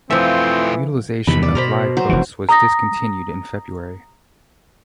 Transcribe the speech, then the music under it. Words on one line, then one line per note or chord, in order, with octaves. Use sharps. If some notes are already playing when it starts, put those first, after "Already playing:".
Utilization of live votes was discontinued in February.
E3 F3 A3 C4 F4 E5
E2 C3 D#3 B5
D5
B2 A#4 C5 B5
F#3 C5
F1 E3
A#5 D#6 A#6